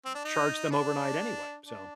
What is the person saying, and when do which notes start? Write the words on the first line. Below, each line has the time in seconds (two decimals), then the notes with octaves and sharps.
charge them overnight anyway, so
0.05 C4
0.15 D4
0.25 D#4
0.71 D4
1.65 D4